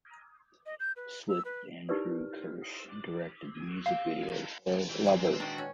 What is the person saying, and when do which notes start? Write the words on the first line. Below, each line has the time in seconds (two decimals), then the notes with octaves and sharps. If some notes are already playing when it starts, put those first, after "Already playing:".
Swift and Drew Kirsch directed the music video for "Lover".
0.66 D#5
0.80 G6
0.96 B4
1.29 E6
1.45 B4
1.89 D#4 E4 G4 A#4 B4 D5
3.86 F5
4.90 E3
5.06 A#2 G#3
5.26 B4
5.40 D#3 D4 F#4
5.58 C#4